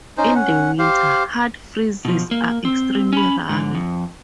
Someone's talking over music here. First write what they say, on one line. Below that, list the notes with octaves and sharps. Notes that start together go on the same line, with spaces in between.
In the winter, hard freezes are extremely rare.
C#4 D#4 C5
C#4 F#5
G4 C5 F5
B2 F3
A#3
C4
C#4 B5
G#2 D3
F2